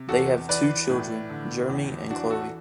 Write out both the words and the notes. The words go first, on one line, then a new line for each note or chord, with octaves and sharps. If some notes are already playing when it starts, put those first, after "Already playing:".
They have two children: Jeremy and Chloe.
Already playing: C3
E2 F#4 A4
E3 B4 D5
A2
D3
E2
E3 D4 F#4
F#4 A4